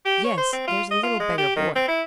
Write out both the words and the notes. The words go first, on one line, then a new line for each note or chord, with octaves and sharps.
"Yes; there's a little beggar boy."
G4
C#5
C5
C4
F4
D#5
F4
G#3
G4
D#3
C4
E4